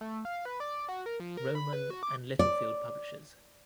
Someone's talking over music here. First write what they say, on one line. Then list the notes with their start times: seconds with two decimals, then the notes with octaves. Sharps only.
Rowman and Littlefield Publishers.
0.01 A3
0.25 F5
0.45 B4
0.60 D5
0.89 F#4
1.06 A#4
1.20 F3
1.37 A#4
1.55 B5
1.73 B4
1.90 F#4
2.03 D6
2.39 D5